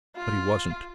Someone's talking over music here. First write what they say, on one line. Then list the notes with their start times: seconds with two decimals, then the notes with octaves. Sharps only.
But he wasn't.
0.16 F4